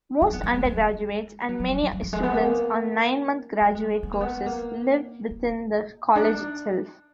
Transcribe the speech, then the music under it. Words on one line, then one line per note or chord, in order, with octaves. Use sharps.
Most undergraduates and many students on nine-month graduate courses live within the College itself.
D4
B3
A#3
G#3
G#3
F#3
F#3
F#3
F#3
F#3
F3
G#3
B3
A#3
B3
G#3
B3
A#3
B3
A#3
A#3
D4